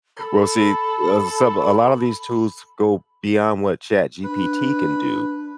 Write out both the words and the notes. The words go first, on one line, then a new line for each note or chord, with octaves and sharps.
Well, see, uh, some a lot of these tools go beyond what ChatGPT can do.
A4 B5
D4 B4